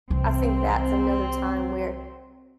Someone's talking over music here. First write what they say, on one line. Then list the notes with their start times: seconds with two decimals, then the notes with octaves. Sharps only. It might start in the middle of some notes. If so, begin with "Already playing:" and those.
I think that's another time where
0.10 C2 E3 C4